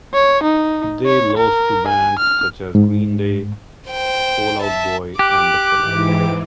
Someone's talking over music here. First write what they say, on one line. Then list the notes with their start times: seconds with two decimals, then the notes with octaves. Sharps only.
They lost to bands such as Green Day, Fall Out Boy, and The Killers.
0.14 C#5
0.44 D#4
1.06 C#5
1.38 A#4
1.88 G#5
2.19 F6
2.75 G#2
3.89 C5 G5
4.63 E5 A5
5.19 G4 D6 F#6
5.80 G#2 E3